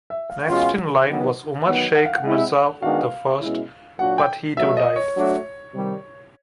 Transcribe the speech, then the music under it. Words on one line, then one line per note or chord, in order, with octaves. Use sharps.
Next in line was Umar Shaikh Mirza I but he too died.
E5
F5
B2 G#3 C#4 F4 F#5
D#3 F#3 B3
D#3 F#3 B3 F#5
F#5
F5
F#5
G#3 C4 E4
D#3 G#3 B3 D4 F#4 F5
B2 G#3 C#4 E4
A#2 F#3 A#3 D4 F#4 F#5
G5
B2 F#3 A3 E5
D#5
C#5
F#3 A3 D4 F#4
C3 D#3 G3